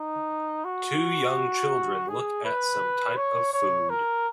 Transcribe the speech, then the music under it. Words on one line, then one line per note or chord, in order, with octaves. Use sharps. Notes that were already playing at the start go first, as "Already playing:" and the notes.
Two young children look at some type of food.
Already playing: D#4
F#4
G#4
B4
C#5
C#5
A#4